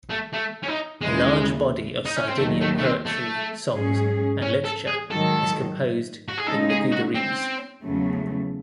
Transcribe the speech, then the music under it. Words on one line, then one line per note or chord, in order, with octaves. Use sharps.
A large body of Sardinian poetry, songs and literature is composed in Logudorese.
A3
A3
C#4
D#4
D#2 C#3 E3 G#3
D#4
C#4
C4
D#2 D#3 F#3 A3
A3
A3
C4
A3
G#2 F#3 C#4 G#4
C#4
A4
G#4
G#2 D#3 F#3 A4
F#4
G#4
C#3 G#3 D#4 A4
G#4
F#4
C4
E2 C#3 F#3 A3